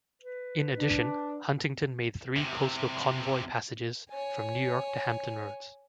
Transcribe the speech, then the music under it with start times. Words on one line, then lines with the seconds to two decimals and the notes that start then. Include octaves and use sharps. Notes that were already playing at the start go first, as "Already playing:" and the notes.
In addition, "Huntington" made three coastal convoy passages from New York to Hampton Roads.
0.22 B4
0.78 D4
2.37 E2 C3
4.11 C#5 G#5